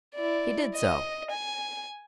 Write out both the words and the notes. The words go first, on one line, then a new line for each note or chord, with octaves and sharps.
He did so.
E4 D5
D#5
G#5